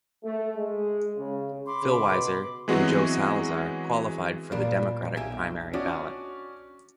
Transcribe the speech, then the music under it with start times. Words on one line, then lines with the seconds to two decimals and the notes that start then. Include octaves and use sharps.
Phil Weiser and Joe Salazar qualified for the Democratic primary ballot.
0.24 A3
0.57 G#3
1.18 C#3
1.66 B5 C6 D6
1.82 C#3
2.09 B2
2.68 E3 F#3 G#3 B3 C4 F#4
4.52 A#2 G3 A#3 B3 D4
5.17 B1 G4 E5 G#5
5.73 C#4 D4 F#4 D5 D#5